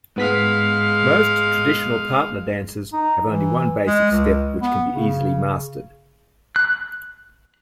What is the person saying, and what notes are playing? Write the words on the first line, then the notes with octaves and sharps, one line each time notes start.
Most traditional partner dances have only one basic step which can be easily mastered.
G#2 G#3 B3 F5 B6
D#4
E3
G#3
C#2
B3
C#3
F#6